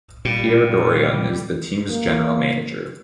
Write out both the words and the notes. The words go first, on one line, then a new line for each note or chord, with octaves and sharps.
Pierre Dorion is the team's general manager.
A#2 G3
A#3